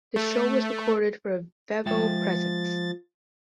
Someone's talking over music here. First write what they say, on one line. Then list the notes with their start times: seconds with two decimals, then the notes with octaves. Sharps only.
The show was recorded for a Vevo Presents.
0.16 A3
1.86 F3 G#3 E5 G5 A6